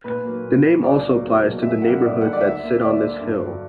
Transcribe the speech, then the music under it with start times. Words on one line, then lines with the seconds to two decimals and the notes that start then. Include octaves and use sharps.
The name also applies to the neighborhoods that sit on this hill.
0.04 A#2 B4
0.24 F#3 A#3
0.44 A#2
0.64 F#3 A#3
0.83 C#2 D5
1.03 B2 F#3 A#3
1.23 C#2
1.42 B2 F#3 A#3
1.62 F#2 E5
1.82 D3 G3 A#3 F#5
2.01 F#2 D5
2.21 D3 G3 A#3 F#5
2.33 D5
2.41 D2 E5
2.61 D3 A#3
2.81 D2 D5
3.01 D3 A#3
3.20 G2
3.39 D3 F#3